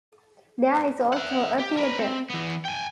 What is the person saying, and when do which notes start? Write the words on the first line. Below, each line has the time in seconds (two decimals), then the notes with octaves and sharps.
There is also a theater.
1.13 E5 F#5
1.59 G4
1.77 A#4 B4
1.98 C4
2.30 E3 B3
2.65 G5 G#5